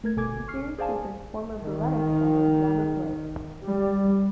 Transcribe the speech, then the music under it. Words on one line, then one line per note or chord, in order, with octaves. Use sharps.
The series features former "Baretta" star Robert Blake.
A3 A#4 G#6
G1 B2 A4 G#5 D6 G#6
C#6 F6 C7
G#4 C5 D5 F5 G#5 A5
D#3
G3